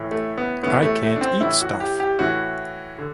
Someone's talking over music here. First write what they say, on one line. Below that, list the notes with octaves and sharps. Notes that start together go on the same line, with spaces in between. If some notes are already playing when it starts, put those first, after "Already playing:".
I can't eat stuff!
Already playing: A2 E3
A3
B3
A2 E3 B3
A3
A3
D4
C4
A2 E3 E4
F#4
G4
G4
A2 E3 F#4
D3